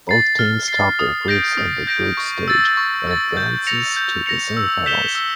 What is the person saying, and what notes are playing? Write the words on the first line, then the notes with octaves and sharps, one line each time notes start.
Both teams topped their groups in the group stage and advances to the semifinals.
A6 C7
F6
A6 C7
D#6
G6 A#6 D7
D#6
G6 A#6 D7
C#6
E6 A6
C#6
E6 A6
G6
A#6 C#7 F7
G6
A#6 C#7 F7
E6
G6 B6 E7 G7
E6